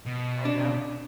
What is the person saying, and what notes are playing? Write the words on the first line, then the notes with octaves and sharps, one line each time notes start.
I know.
B2
D4